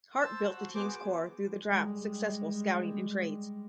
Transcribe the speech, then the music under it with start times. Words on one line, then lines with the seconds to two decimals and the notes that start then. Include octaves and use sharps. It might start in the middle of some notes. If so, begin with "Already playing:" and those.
Hart built the team's core through the draft, successful scouting and trades.
0.22 C5 A5 E6
0.48 F#4
0.75 B3 G#4 C5 D6
1.66 G3 G#3